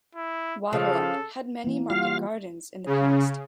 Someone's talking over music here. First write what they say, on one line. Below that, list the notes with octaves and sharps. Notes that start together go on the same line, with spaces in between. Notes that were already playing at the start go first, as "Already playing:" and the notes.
Wattleup had many market gardens in the past.
E4
C#3 F3 A4 F5
E3 A#3
G3 F4 F#4 F5
C#3